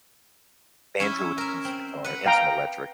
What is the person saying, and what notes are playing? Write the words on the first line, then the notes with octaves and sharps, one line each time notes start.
banjo and acoustic guitar, and some electric.
C#4 E4 E5
A#4 E5
C4
B4 F#5
F5 G5 A#5